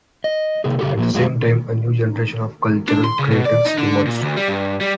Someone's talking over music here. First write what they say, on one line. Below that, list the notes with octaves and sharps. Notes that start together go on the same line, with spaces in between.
At the same time, a new generation of cultural creators emerged.
D#5
C3 A#3 G#4
C#3 G4 A4
A#2 F3 A#3
F#2 A2 G#3 F4 F#4
D4
C6
C#3
B2
D5
D#4
D3
A#2
D2
G3
G2
G3